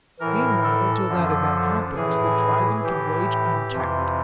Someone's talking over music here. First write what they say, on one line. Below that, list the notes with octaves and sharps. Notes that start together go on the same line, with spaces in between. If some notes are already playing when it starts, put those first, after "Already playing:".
"Meanwhile, till that event happen, the Dragon can rage unchecked?"
A2 E3 A#4
A4
F#2 D3 F3
A2 E3 G#4
A2 E3 G4
F2 C3 E3